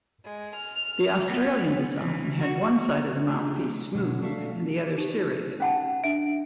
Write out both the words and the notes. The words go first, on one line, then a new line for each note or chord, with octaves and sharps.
The Australian design had one side of the mouthpiece smooth and the other serrated.
G#3
F6
B3
E3
F#4
A3 D4 D#4 F4 G4 G#4
B2 D3 F#3
A3 D4 F#4 A4 E5 F5
D#4 G4
C#4 F#5 A5
D4 E5 D7